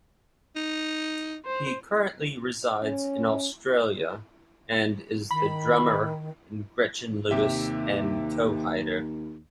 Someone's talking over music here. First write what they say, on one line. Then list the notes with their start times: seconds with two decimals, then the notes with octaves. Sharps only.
He currently resides in Australia and is the drummer in Gretchen Lewis and Toehider.
0.56 D#4
1.46 C5
2.83 C#4
5.31 D#3 B5
7.31 D#2 C3 G4 E5